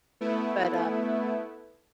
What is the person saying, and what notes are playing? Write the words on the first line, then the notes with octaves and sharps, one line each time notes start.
but, um
A3 B3 E4